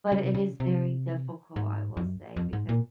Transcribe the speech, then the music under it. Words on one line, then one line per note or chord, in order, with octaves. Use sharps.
But it is very difficult, I will say, because,
C#3
C3
C#3
C3
G#2
F2
F#2
F2
G#2
A#2